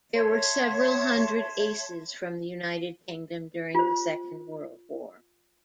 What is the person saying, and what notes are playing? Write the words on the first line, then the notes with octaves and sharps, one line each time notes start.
There were several hundred aces from the United Kingdom during the Second World War.
C#5 E5 A5 C6
F4 C5